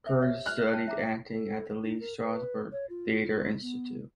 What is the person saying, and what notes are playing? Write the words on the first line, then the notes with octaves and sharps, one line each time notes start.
Curtis studied acting at the Lee Strasberg Theatre Institute.
G4 C5 E5
C#5 E5
F6 F#6
C#5 G5 A5
E5 A#5 D6
A4
D#4
A#4
B4
C#5
F4
B3